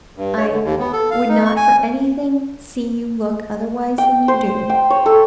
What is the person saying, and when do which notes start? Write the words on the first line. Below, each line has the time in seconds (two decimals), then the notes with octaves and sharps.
I would not for anything see you look otherwise than you do.'
0.17 G2
0.38 C#5
0.51 D3
0.64 D#2
0.79 B3
0.93 A4
1.11 F5
1.29 D#4
1.45 C#6
1.57 G#5
3.98 G5
4.28 C5
4.70 G5
4.90 C#5
5.06 A4